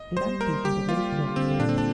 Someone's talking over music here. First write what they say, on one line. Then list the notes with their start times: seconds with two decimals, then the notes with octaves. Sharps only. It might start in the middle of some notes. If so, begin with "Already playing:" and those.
It empties into Lake Jackson.
Already playing: D#5
0.17 G3 C5
0.40 A#3 A#4
0.64 G3 G4
0.88 A#3 F4
1.12 D3
1.36 D3 C4
1.60 A#2 D4
1.69 C4
1.78 D4